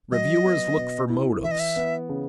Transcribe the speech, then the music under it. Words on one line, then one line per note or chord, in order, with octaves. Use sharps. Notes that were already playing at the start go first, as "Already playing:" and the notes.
Reviewers look for motives.
F#3 D#5
B3
B2
E4
E3 E5
D#5
E5
B3
C#3